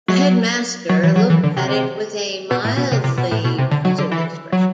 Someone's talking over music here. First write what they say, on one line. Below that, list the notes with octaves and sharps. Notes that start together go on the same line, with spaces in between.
The headmaster looked at it with a mildly puzzled expression.
F#3
F#3
E3
F#3
E3
D3
C3
B2
A2
B2
C3
C3
B2
A2
B2
C3
D3
F#3
D3
E3
F#3